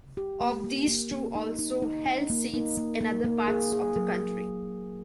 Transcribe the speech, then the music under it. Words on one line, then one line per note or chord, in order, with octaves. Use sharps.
Of these two also held seats in other parts of the country.
G4
A#3
A#3
A#3
A#3
D#4
D#4
D#4
D#4
A#3
D#4
A#3
A#3
A#3
G#4
G#4
F#3